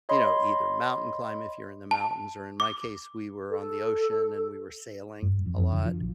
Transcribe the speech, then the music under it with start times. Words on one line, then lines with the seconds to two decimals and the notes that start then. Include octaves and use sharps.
you know, either mountain climb, if you're in the mountains, or in my case, we were on the ocean, and we were sailing, a lot,
0.09 C#5 D#5 B5 C6
1.91 A5
2.60 D6
3.51 A4
5.22 G2
5.46 F2
5.58 F2
5.72 D3
5.86 F3
6.00 A#1